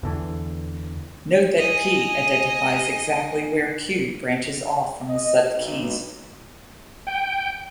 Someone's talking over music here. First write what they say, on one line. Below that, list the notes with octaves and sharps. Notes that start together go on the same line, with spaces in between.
Note that "p" identifies exactly where "q" branches off from the set of keys.
E2 D3 E3
D#5 G#5
D#5
B1
G5